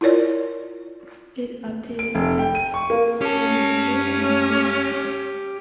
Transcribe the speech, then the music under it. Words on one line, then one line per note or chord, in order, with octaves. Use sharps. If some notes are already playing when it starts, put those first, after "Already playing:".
It updates every Monday, Wednesday, and Friday.
E4 F4 A#4 C#5 D5
D7
F1
G5
D#7
C#6
A#3
C#4 G4 A5